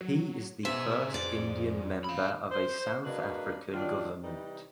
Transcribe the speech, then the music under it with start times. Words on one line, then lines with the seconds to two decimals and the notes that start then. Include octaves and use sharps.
He is the first Indian member of a South African government.
0.01 F#3
0.65 B2 G#4 C5 E5
1.14 F2 D5
2.04 F5 B5
2.51 C5
3.05 F#3 G#3 A#3 D4 F#4 B4
3.73 D#3 F#3 G3 D4 D#4 F4
4.24 C3 E3 G3 D#4